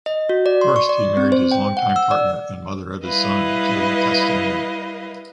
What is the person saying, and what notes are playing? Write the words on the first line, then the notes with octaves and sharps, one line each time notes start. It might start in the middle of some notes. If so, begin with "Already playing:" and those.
First, he married his long-time partner and mother of his son, Julie Castelnau.
D#5
F#4
D5
C6
C#6
D5
C4
C5
G5
F#5
E6
D5
G3 E4 B4 D#5 F5